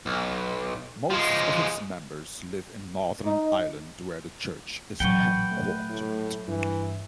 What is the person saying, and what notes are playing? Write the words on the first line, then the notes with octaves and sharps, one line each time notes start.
Most of its members live in Northern Ireland, where the church is headquartered.
B1
F3 G#3
D#4
A1 A#2 F#3 B4 F#5 G5 C#6
A3
A2
G2 E3